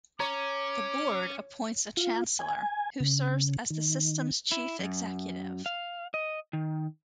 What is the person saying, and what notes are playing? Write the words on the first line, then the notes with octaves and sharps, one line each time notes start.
The Board appoints a Chancellor, who serves as the System's chief executive.
C#4 C#5 A#5 D6
F4
G#5
C#3
D#3
E4
F#2
F5
D#5
D#3